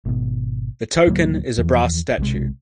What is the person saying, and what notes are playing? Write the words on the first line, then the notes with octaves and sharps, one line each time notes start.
The token is a brass statue.
G#1 B2
D1 D2 F#3 A#3
E2 E3 F3
B1 C3 G#3